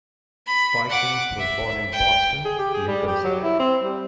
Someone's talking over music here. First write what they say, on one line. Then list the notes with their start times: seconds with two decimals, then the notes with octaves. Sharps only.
Spikings was born in Boston, Lincolnshire.
0.46 B5
0.89 F#5 D6
1.39 E5
1.92 G5
2.45 G#4
2.59 G4
2.74 G#4
2.88 G3
3.07 G4
3.24 F#3
3.43 E4
3.59 C4
3.83 G3